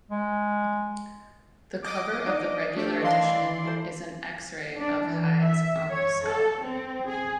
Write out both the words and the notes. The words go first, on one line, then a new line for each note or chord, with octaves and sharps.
The cover of the regular edition is an X-Ray of Hyde's own skull.
G#3
D#5 D6
D4 D#4 D5
A3 D4 G4
E3 D5 D#5 F5 A5 C6
E4 A4 C5
D4
E3
E5
C#5
A4
C4
G#4